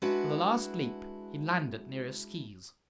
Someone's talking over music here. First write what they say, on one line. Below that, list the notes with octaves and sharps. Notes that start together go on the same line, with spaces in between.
With a last leap he landed near his skees.
G#3 D4 E4 F#4 B4 F#5